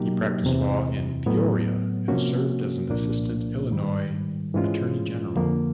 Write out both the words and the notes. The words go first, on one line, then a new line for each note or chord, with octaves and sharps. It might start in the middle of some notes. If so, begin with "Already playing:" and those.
He practiced law in Peoria and served as an Assistant Illinois Attorney General.
Already playing: B2 F#3 A#3 D#4 G4
E2 C3 E3
A2 F#3 B3
C3 F3 A#3 C#4 F#4
C2 A#2 F3 A#3 D4
G#2 D#3 G3
G#2 E3 G#3 C#4 F4
F2 D3 F3 A#3